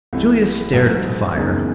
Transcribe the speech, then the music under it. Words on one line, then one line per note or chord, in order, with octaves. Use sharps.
Julius stared at the fire.
C2 C3 E3 A3
A1 G#2 F#3 A3
F#1 E2 C#3 G#3 D#4